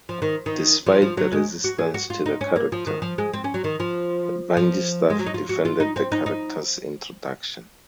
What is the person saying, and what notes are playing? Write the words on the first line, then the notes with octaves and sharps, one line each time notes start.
Despite the resistance to the character, Bungie staff defended the character's introduction.
F3
D#3
D#3
F3
F3
F#3
G#3
F#4
G#4
F#4
F4
D#4
C#4
A#3
F3
D#3
F3
G#3
C4
C#4
F#3
D#3
F3
F3
G#3
F#3
D#4
F4
F#4
F4
D#4
C4
D#4
D#4